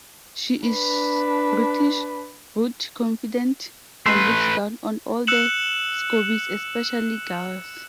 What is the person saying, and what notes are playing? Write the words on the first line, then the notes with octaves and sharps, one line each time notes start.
She is British, rude, confident, and looks down on all the Scoobies, especially Giles.
D4 B4
A3 B4 C6
E6 F#6 C#7 E7 F#7